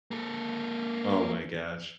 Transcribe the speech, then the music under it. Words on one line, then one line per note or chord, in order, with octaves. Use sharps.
Oh my gosh.
A#3 A4